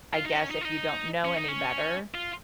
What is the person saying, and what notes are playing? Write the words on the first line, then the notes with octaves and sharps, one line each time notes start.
I guess if you don't know any better,
F4
D#4
C#4
D#4
F4
D#4
C#4
D#4
C#4
F4